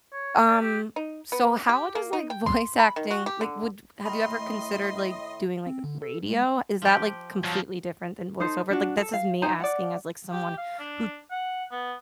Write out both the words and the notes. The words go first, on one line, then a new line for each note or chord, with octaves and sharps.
um so how does, like, voice acting like, would have you ever considered, like, doing, like, radio? Is that, like, completely different than voice-over? Like, this is me asking as, like, someone who
C#5
D5
G4
D#4
B3
G4
A#3
D#4
G5
C6
B5
D#3
F#4
G4
D3
A2 D#3 D#5 B5 C6
C4
D3
A4
G#3
F3 G4
F3 F#3
D#4 A4 C5
D4 F#4
A4
F5
D#4 C5 G#5 A#5
D5 F#5
G4
F5
D4
F#5
B3